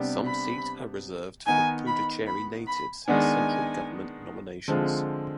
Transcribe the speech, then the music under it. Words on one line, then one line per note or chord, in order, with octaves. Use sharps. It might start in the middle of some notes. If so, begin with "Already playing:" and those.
Some seat are reserved for Puducherry natives and Central Government nominations.
Already playing: C3 G3 B3 D4 G4
B5
D#3 B3 D#4 G#5
B5
B5
B5
D#3 G#3 B3 D4 G#5
D3 F3 G#3 C4 F4